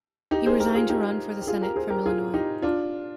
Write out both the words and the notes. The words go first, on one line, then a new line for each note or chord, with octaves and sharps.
He resigned to run for the Senate from Illinois.
D#4 G4
G#4 C5
G4 A#4
F4 G#4
D#4 G4
G4
F4 G#4
G4 A#4
G#4 C5
G4 A#4
F4 G#4
D#4 G4
D4 F4